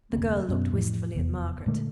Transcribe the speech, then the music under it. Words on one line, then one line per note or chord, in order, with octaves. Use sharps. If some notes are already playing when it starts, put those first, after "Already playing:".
The girl looked wistfully at Margaret.
F1 D2 A#3 C4
F#2 B2
F2 A2 C3 E3
F1 E2
A#2 D3 G#3 A3